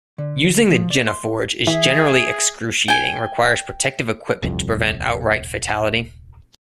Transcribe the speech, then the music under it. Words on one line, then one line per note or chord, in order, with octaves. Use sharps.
Using the Geneforge is generally excruciating and requires protective equipment to prevent outright fatality.
D3
F3
D5
C6
E3 G#4 E5
G5 G#5
D#1 C2 F2